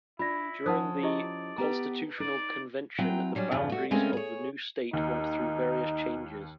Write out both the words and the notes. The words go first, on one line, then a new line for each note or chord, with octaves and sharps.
During the constitutional convention the boundaries of the new state went through various changes.
D4 E4 F4 D5 B5 A#6
F3 C#4 C5 F#5 A5 D#6 F#6
E4 G4 D5 D#5
B3 G4 B4 G5 A#5
D#4 D5
E3 F#3 C4 G5 A#5
D3 F#3 G3 C#4
E2 G2 C#3 F3
A3 F#4
C#3 G#3 A3 C4 C#4 A#4
G#4 C#5
D#2 D#4